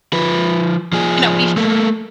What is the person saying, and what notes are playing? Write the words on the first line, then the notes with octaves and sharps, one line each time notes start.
you know, bef
F3 B4
F3 G#4
A3 A#3